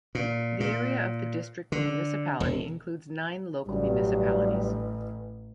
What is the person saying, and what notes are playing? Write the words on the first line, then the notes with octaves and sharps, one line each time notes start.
The area of the district municipality includes nine local municipalities.
A#2
A#2
D3
E1
A1 G2 F#3 G3